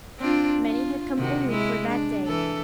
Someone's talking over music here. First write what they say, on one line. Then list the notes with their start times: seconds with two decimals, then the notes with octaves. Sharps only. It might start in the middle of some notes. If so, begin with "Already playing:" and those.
Many had come only for that day.
0.19 C4 D4 F4
0.66 F4
1.18 C3 D#3 F#4
1.47 G#3 E4
1.89 D4
2.26 E3 A4